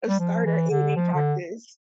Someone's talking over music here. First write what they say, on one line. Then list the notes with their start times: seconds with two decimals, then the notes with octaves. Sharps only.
a starter aiming practice.
0.09 G3
0.20 F3
0.45 E3
0.71 D3
0.96 F3
1.14 D3